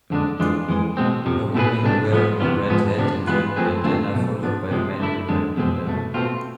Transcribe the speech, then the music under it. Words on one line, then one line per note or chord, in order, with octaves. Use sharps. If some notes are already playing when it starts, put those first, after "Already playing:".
A woman wearing a red hat and red bandanna followed by a man in a red bandanna.
F2 D3 G#3 D4
F2 E3 G#3 D4 F4
F2 E3 G#3
B2 G#3 C4
F2 C3 F3
B2 A3 E4 G#4 B4
C2 B2 A3 D4
F3 G#3 B3
E2 C3 E3 B3 F4
G#2 F3 G#3 B3
D2 C3 F3 B3 D4
E3 G#3 B3 F4 B4
F3 A3 C4 G#4 B4
F2 D3 A3 C4 F4
B1 B2 A3
F3 B3 D4
C3 F3 G#3
D3 A3 E4
F2 D3 G#3 D4
E2 B2 G#3 C4
C2 B2 A3
B2 A3 C4 F4